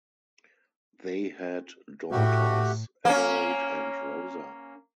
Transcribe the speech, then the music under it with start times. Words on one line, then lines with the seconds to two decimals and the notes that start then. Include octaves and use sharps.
They had daughters Adelaide and Rosa.
2.11 A2 A3 F#4 G4
3.05 A#3 C#4